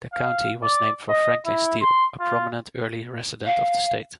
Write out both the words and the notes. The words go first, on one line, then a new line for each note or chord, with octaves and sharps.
The county was named for Franklin Steele, a prominent early resident of the state.
F5
D5
D#5
E4
C6
F4
F5